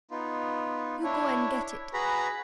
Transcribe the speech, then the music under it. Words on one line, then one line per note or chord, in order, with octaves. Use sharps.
You go and get it.
B3 D#4 F4
D4 E4 C#5
F#4 G#4 B4 A#5 B5